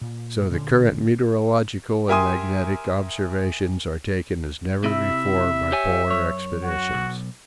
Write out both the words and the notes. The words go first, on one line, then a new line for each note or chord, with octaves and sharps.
So the current meteorological and magnetic observations are taken as never before by Polar expeditions.
A#2
D2 A#2 D3 C#4
G4 A#4 E5 G#5 C6 D#6
C3 E4 E5
G4 C#5 G#5
F#2 C#5
F#4
B1